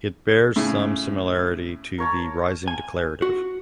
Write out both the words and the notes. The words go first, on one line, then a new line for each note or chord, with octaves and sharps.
It bears some similarity to the rising declarative.
A2 C#3
A#4 C#5 A5
G#5
F#4